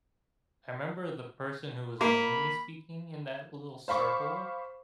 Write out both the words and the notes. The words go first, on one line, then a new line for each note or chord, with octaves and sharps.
I remember the person who was mainly speaking in that little circle,
A#3 B5
C5 F5 B5 C#6 D6